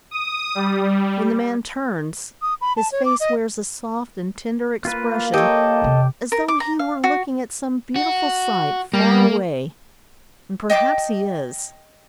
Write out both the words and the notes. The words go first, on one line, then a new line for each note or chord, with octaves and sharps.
When the man turns, his face wears a soft and tender expression as though he were looking at some beautiful sight far away, and, perhaps, he is.
D#6
G3
D#6
B5
A5
C#5
D6
D#5
A#3 F4 B4
G4 A4 C#5 D#5
E2 C3
A#4
D6
A#5
F5
F#4
F#4
G3 A#3
D#5 G5 A5 D6